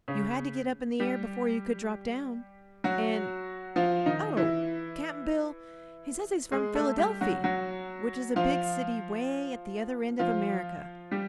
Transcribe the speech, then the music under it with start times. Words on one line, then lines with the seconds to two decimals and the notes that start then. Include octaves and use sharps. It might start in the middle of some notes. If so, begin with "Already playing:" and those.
"You had to get up in the air before you could drop down, an'--oh, Cap'n Bill! he says he's from Phillydelfy, which is a big city way at the other end of America."
0.08 C#3 C#4
1.00 G3 G4
2.84 F#3 F#4
3.76 F3 F4
4.06 D#3 D#4
4.37 E3 E4
6.52 G#3 G#4
6.75 A3 A4
6.98 G3 G4
7.21 F#3 F#4
7.44 F#3 F#4
8.36 F3 F4
10.19 F3 F4
11.11 G3 G4